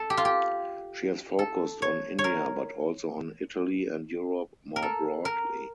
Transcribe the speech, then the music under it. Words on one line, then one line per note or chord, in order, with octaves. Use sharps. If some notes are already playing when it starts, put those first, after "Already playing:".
She has focused on India but also on Italy and Europe more broadly.
Already playing: A4
G4
F4
G4
A4
C#5
C#5
A#4
A#4
A4
A#4